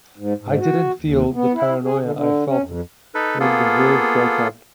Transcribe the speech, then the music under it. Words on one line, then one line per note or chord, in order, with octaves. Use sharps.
I didn't feel the paranoia I felt when The Verve broke up.
G#2
G#2
F#4
D#2
B3
E4
G#4
D3
D3
C#4
F2
D#4 A4 B4
A#3 B3 F4 G#4 A4